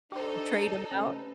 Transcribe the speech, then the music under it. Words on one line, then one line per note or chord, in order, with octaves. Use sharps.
Trade 'em out?
D4 D#4 G4 A4 C5
C3 A3 C#4 B4